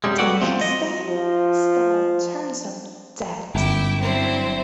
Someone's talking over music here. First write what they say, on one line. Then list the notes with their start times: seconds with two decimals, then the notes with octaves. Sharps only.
The next day, Stella turns up dead.
0.04 F#2 C3 G3 G#3
0.18 F#4 A4 B4 D5 F#5 G5
0.41 F3 C4
0.61 D#5
1.08 F3
3.55 G1 F#2 E4 G5 D6
4.01 F#3 C4 D4 E4 C5